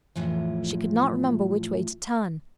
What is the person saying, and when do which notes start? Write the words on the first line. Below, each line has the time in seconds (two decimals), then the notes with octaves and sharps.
She could not remember which way to turn.
0.16 F2 A2 E3 F3